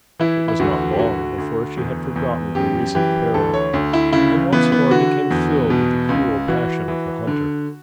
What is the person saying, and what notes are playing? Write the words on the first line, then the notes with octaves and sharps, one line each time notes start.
It was not long before she had forgotten her recent peril, and once more became filled with the cruel passion of the hunter.
E3 E4
E4
D2 F#4
G4
D2 F#4
D2
E2
E2
F#2 G4
E3 G4
D2 A4
C#5
D2
E4
C#3 E4
E3 B3
B3
D3 F#4
E2
B2
C#2
E3 F#4
E3
D3